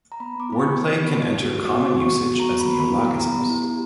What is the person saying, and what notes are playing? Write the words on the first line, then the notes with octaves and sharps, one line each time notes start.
Word play can enter common usage as neologisms.
A#5
B3 B5
B3 D6
E4 B5
C#6
G4
B3
B3
E4
G4
F#4
B3
F#4
B3
F#4 C#6
B3
F#4
A#5
B3
B3 B5
B3
B5
E4
A#5
G4
B3 A#5
B3
E4
G4